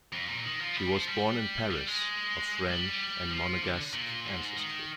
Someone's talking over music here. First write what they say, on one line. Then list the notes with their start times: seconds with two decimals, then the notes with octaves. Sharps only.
She was born in Paris of French and Monegasque ancestry.
0.12 F2
0.28 A#2
0.44 D#3
0.60 F3
0.76 G3
0.92 F3
1.07 G3
1.71 G3
1.87 G#3
2.66 G3
3.30 F3
3.62 D3
3.93 A#2
4.25 G#2
4.57 D#3